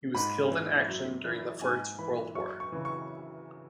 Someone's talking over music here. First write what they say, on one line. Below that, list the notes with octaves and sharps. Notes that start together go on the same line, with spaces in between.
He was killed in action during the First World War.
G#2 B5
E3
F#2
E3
G#2 G#5
E3 B5
F#2 C#6
C#6
C#3 E3
C#6